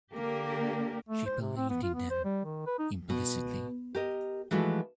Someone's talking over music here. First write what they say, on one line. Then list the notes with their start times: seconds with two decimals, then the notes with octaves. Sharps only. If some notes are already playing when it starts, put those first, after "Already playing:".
She believed in them implicitly.
0.14 D3 A#3 G4 A#4
1.09 A3
1.26 C5
1.41 C3
1.57 C4
1.70 B3
1.83 F4
1.95 B3
2.10 C5
2.24 G3
2.45 D#3
2.66 B4
2.79 D#4
3.10 B2
3.95 G4 A#4 D#5
4.51 E3 F3 G#3 A3 F#4